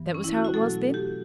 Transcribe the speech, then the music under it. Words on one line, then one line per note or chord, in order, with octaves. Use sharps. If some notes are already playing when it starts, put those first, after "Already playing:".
'That was how it was, then?'
Already playing: G2 E3 B3
C#4
E4
F#4
F#4
B2 F#3 A3 A4
G4